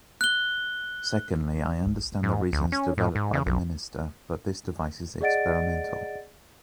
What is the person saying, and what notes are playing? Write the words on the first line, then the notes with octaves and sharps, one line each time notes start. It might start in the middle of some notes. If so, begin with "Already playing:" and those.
Secondly, I understand the reasons developed by the Minister, but this device is experimental.
F#6 G7
G#2
D2
C#4
A2
G#2
C#3
B1
G#4 D5 D#5 F#5 A6 D7